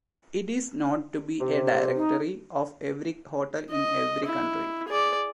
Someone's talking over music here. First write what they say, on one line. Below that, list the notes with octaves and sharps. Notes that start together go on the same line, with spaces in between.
It is not to be a directory of every hotel in every country.
C3
D#4
D#5
E4
G#4 D5